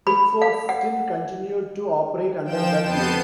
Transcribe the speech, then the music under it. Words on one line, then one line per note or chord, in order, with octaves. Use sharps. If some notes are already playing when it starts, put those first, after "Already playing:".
Pickfords still continued to operate under that name.
B5
F5
F#5
F3 G5 E7
F2 B3 A5 G6 C7 D#7